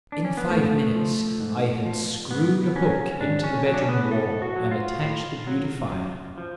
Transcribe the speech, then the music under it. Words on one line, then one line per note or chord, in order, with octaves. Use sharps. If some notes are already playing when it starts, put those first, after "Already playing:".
In five minutes I had screwed a hook into the bedroom wall and attached the beautifier.
D4
C#4
B3
G#2 A3
F3
G#2
F3
G#2 B3
F#3 C#4
G#2 D4
C#4
F#3 C#4
D4
C#4
B3
A2 A4
F#4
F#3
F4
A2
F#3
F#2
F3